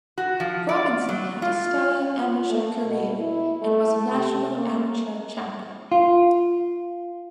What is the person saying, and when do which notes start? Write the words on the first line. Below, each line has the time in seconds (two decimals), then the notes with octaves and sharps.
Robinson had a stellar amateur career and was a national amateur champion.
0.18 F#4
0.40 F3
0.69 D5
1.09 F#3
1.42 F4
2.18 F4
2.49 A3
2.84 B2
3.19 E4
3.62 A3
4.12 C3
4.55 A#3
5.92 F4